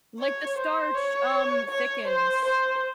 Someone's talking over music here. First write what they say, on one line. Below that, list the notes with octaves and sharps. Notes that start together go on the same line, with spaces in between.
Like, the starch, um, thickens.
C#5
C5
C#5
C#5
C5
C5